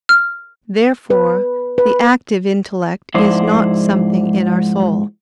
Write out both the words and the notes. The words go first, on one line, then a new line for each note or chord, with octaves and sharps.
Therefore the active intellect is not something in our soul.
F6
B4
B4
G#2 F3 E4 C5 D5